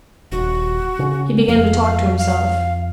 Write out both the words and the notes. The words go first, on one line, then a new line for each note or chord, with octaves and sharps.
He began to talk to himself.
D#1 F#4
C#3
F2 F5
F5